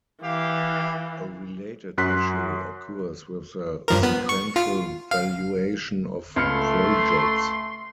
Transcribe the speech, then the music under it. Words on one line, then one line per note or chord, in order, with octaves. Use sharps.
A related issue occurs with the sequential valuation of projects.
E3 G4 F5
F#2 F#4 C6 F#6 B6
G2 F3 A#4
B3
C#6
F4
F5
C#2 A3 C6 F6 C#7